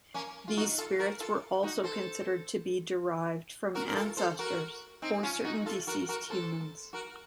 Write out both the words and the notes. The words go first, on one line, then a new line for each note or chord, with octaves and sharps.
These spirits were also considered to be derived from ancestors or certain deceased humans.
A#3 C#4
F4
D#4 F#4
F4 A4
F#4 A#4
F4 A4
D#4 F#4
A4 C5
F#4 A#4
A#4
F4 A4
A4 C5
F#4 A#4
C4 D#4
C#4 F4
D#4 F#4
F4 A4
F#4 A#4
F#4 A#4
A4 C5
F#4 A#4